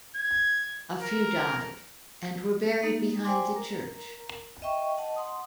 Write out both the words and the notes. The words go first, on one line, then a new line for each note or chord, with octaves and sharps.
A few died and were buried behind the church.
G#6
A#4
A#3 D#4
C5 D5 G5 G#5 C6 D6
A#4 A#5
D#5 E5 G5 C#6
D#5 F#5 A5
F#5 C6 D#6